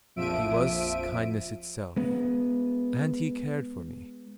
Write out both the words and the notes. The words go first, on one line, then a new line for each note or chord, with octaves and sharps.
He was kindness itself, and he cared for me.
A#1 F2 F3 E5 D7 D#7
G#3 B3